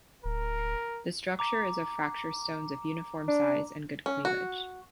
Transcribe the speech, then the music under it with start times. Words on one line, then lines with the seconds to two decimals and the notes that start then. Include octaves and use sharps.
The structure is of fracture stones of uniform size and good cleavage.
0.24 D1 A#4
1.39 A#5 D6
3.28 D4
4.06 C#4
4.25 F#4